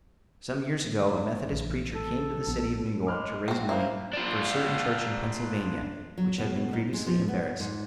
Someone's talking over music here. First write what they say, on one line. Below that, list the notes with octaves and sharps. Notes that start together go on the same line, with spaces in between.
Some years ago a Methodist preacher came to the city of New York to raise money for a certain church in Pennsylvania which had been grievously embarrassed.
A#1 E3 A3
A4
A#1 B3
G#3 D6 F6
C4 F#4
A#3 E4 C5 A#5
D4 F4
F#3
B2
D#4
G#3
F3
B3
G#2